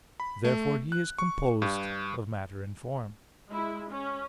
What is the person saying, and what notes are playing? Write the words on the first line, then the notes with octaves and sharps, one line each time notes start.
Therefore he is composed of matter and form.
B5
A3
F#6
C#6
G2
G#3 E4
C#4